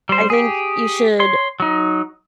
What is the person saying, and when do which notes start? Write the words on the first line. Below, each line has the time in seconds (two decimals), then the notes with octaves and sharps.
I think you should
0.09 G3 C5
0.30 G4 G#4
1.20 C#5 C6
1.60 F#3 D#4